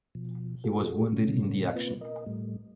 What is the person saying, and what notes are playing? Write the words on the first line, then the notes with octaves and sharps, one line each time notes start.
He was wounded in the action.
B2 F3
F4 F#4 G#4 A4
A2 C#3 A3 C#4
A#3 C4 F4 B4
A#4 D#5
A2 G3 A3